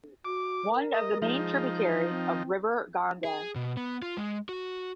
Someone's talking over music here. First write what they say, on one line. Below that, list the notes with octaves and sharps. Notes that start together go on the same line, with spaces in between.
One of the main tributaries of river Ganga.
F#4 D6
A#4
D#5
F3 G#3 D#4
C4
G#4
B2
B3
F4
G#3
F#4